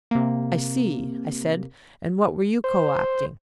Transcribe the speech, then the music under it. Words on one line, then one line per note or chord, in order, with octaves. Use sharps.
"I see," I said, "and what were you co-opting?"
C3 A#3
C5